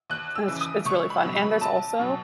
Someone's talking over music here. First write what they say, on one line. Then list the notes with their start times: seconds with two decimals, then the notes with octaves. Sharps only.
it's it’s really fun, and there's also
0.10 D#2 F#6
0.35 E6
0.48 C#3 E3
0.61 D#6
0.85 C#2 C#6
1.10 B5
1.23 B2 F#3
1.36 B5
1.61 B1 A5
1.99 B2 F#3